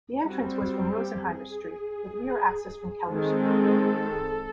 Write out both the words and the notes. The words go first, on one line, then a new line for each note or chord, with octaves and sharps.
The entrance was from Rosenheimer Street, with rear access from Keller Street.
G3 C4 F#4
G4
G#4
D#3 G#3 C4 A4